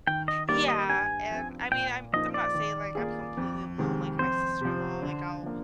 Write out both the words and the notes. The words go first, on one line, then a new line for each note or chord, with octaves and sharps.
Yeah, and, I mean, I'm I'm not saying, like, I'm completely alone, like, my sister-in-law, like, I'll
D#3 G5
D#5
G3 A#3 D#4 D5
D#5
G2 G#5
F3 C4
A#2 G5
F3 A#3 D#4 D#5
D5
D#3
A#3 F4 G#4
F2
C3 D#3 G#3
F2 C5
C3 F3
D3
F3 A#3